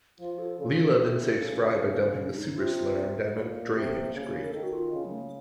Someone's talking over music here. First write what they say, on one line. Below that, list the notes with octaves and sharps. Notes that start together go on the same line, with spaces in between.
Leela then saves Fry by dumping the super-slurm down a drainage grate.
F3 F4
A4
C#3 A4
A#4
C3 A4
C#3
C#4
D#4
C3 F4
A#2 A#3
C3
C#3
A#4
D#3 A4
F#4
F4
C#3
F#3
A3
A#3